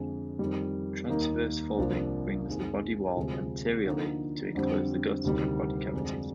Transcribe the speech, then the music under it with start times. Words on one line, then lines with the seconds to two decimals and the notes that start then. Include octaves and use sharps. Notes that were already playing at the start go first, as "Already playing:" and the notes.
Transverse folding brings the body wall anteriorly to enclose the gut and body cavities.
Already playing: F2 D3 G#3
0.39 F2 D#3 G3
1.08 D#2 D#3 A#3 D#4
1.78 C2 C3 F3 A#3 D4
2.47 F2 D#3 G#3
3.17 D2 C3 F3 G#3
3.86 D3 F3 A#3 D#4
4.55 F2 D3 G3 C4
5.25 D2 C3 D#3 G3
5.93 F2 D3 G#3 D4